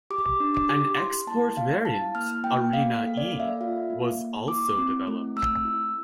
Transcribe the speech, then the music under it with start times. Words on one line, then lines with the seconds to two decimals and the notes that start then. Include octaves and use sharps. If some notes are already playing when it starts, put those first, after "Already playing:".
An export variant, "Arena-E", was also developed.
0.10 G4 D6
0.40 D4
0.55 D6
0.69 G4
0.98 E4 C6
1.27 A#3 A5
1.56 E4 F5
1.85 E4 A5
2.15 A#3 F6
2.44 A#3 G5
2.73 A#3 F5
2.95 F5
3.03 A4
3.17 D5
3.32 A#3
3.40 E5
3.61 F4 F5
3.90 A#3
4.19 A#3
4.48 E4 D6
4.78 C4
5.07 A3
5.36 A3 E6
5.65 E4